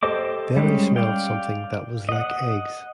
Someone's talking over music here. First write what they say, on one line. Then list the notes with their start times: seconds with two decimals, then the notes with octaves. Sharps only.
Then I smelled something that was like eggs.
0.03 G4 A4 C5 D#5 D6
0.57 G3 G#3 C#4
0.96 D5 F5 G5
2.09 D#5 F#5